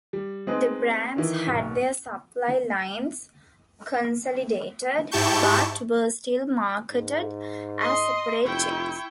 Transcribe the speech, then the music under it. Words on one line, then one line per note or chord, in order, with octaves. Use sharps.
The brands had their supply lines consolidated, but were still marketed as separate chains.
G3
G#3 C4 D#4 G#4 B4
D#3 E3
D1 B1
G#2 E4 G4 A5 C#6 G6
G#2
D#5 C6 C7
F1 E4 G5 C#6